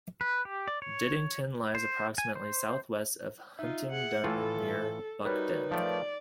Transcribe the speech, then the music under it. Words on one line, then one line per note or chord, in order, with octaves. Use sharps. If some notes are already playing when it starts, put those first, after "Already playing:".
Diddington lies approximately south-west of Huntingdon, near to Buckden.
B4
G4
D5
C#5
C5
G#5
C5
D#4 F4 E5
G#4 F#5
A2 E3 F4 A4
G3 D#4 F#4 A#4 B4 C#5
F3 A3 D5 G5